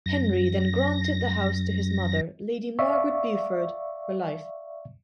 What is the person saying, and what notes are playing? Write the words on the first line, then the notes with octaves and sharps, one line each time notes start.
Henry then granted the house to his mother Lady Margaret Beaufort, for life.
F#2 A#6
D5 E5 F5 C#6